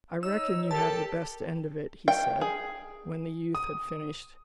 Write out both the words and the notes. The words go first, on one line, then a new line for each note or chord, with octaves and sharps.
"I reckon you have the best end of it," he said, when the youth had finished.
D#4 C#5 E6
G4 A4 A#4 A5
G5
G#4
D#6